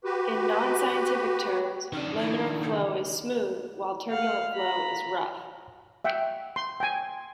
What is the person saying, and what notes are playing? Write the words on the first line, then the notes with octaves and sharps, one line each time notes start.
In non-scientific terms, laminar flow is "smooth" while turbulent flow is "rough".
F#4 G4 B4
D#3 C#4 D4
E4
D#4
F5 F#5
A#5 B5
E5 F#5 G5
C6
G5 G#5